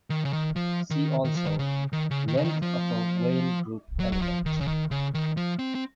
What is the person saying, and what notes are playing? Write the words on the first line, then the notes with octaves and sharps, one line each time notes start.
See also: length of a Weyl group element.
D#3
C#3
D#3
F3
D#3
D#3
F3
D#3
C#3
D#3
C#3
D#3
C#3
D#3
F3
F#3
F#3
F3
D#3
C#3
D#3
C#3
D#3
F3
C4
C4